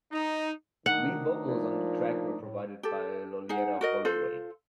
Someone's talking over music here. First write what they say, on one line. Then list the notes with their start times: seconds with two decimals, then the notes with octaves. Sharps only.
Lead vocals on the track were provided by Loleatta Holloway.
0.11 D#4
0.86 D#3 A3 D4 D#4 F#5
1.48 A#2 F3
2.39 A2
2.83 G4 A4
3.49 D#4 G#4 F#5
3.81 F#4 A#4 D#5
4.05 F4 A4 C5